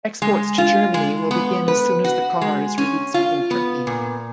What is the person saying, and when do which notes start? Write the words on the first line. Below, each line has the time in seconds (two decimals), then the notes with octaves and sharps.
Exports to Germany will begin as soon as the car is released in Turkey.
0.22 G#3
0.58 F4
0.94 G#3
1.31 B3
1.68 B4
2.04 F#4
2.41 G#3
2.78 C#4
3.14 F4
3.51 B3
3.87 A#2